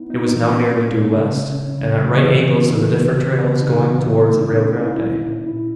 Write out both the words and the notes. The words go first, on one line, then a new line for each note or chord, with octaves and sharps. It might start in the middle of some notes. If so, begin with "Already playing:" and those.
It was now nearly due west, and at right angles to the different trails going towards the Rio Grande.
Already playing: B3 D#4 E4
D#4
E3
C#4
A#3
C#4
C#3
C#4
C#4
C#3
C#3
E3
E3
D#4
E3
C#3
C#3
C#3
D#4
E3
B3
D#4
D#4
C#4
E4
A#2
A#2
E4